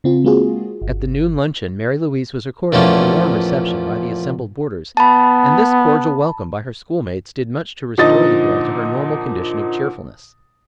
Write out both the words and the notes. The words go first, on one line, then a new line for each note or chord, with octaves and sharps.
At the noon luncheon Mary Louise was accorded a warm reception by the assembled boarders and this cordial welcome by her school-mates did much to restore the girl to her normal condition of cheerfulness.
C#3 C4 F4
G#3 A#3 C4 F4 F#4 G#4
G1
E2 A#2 F3 A3 C#4
B3 A5 B5
A#2 D3 F3 D#4 D#5 A6